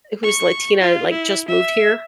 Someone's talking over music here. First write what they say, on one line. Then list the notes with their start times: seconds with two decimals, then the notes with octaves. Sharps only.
who's Latina, like, just moved here
0.23 C#6
0.81 F4
1.12 E4
1.48 E5